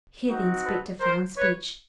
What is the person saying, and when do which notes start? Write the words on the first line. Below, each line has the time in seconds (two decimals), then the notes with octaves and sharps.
Here the inspector found speech.
0.27 C4 D#4 F#4
0.64 A4 B4
1.00 A#4 C5
1.36 B4 C#5